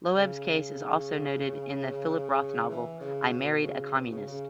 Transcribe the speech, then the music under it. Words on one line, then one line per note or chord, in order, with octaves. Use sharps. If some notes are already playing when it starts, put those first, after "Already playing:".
Loeb's case is also noted in the Philip Roth novel, "I Married a Communist".
C#3
E3
C#3
B2
C#3
B2
C#3
C#3